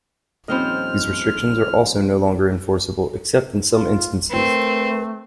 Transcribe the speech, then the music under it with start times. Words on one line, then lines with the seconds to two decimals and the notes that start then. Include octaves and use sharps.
These restrictions are also no longer enforceable, except in some instances.
0.48 D#1 F3 C4 C#4 D#5 B5 F6
3.70 F4
4.31 A3 C4 A#4 B4 C6